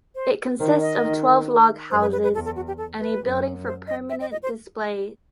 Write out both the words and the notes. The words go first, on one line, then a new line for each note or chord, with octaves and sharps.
It consists of twelve log houses, and a building for permanent displays.
C5
D#3 C5
D#5
D#3
F#2 C5
B4
B4
B4
E2 A4
A4
F#4
G4
A4
B4
F#2
C5
D#5
E5
D#5
D#5
C5